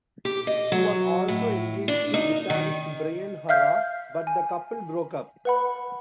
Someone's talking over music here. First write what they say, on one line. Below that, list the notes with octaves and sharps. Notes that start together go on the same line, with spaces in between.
She was also engaged to guitarist Brian Harrah, but the couple broke up.
G4
D#5
F#3
A2
D4
D#4
D#3
E5 F5 F6 G6
G#5
B4 F#5 B5